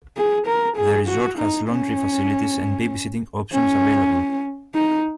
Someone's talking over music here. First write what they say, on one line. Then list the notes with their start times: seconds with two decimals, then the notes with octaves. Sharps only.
The resort has laundry facilities and babysitting options available.
0.17 G#4
0.47 A#4
0.77 G#4
1.08 F#4
1.39 D#4
1.70 C#4
3.53 C#4
4.74 D#4